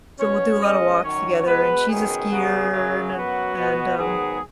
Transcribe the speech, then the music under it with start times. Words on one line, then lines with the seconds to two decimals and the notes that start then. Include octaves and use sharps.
so, we'll do a lot of walks together, and she's a skier and an and, um,
0.19 B2 F#3 C#4 C#5
0.62 B2 G#3 C#4 D#5
1.03 F#2 D#3 F#3 C#4 C#5
1.45 B2 G#3 B3 B4
1.87 F#2 D#3 B3 G#4
2.29 F#2 C#3 F#3 B3
2.71 F#2 C#3 F#3
3.13 F#2 F#3 B3 F#4
3.55 B2 B3
3.97 G#2 D#3 F#3 B3 G#4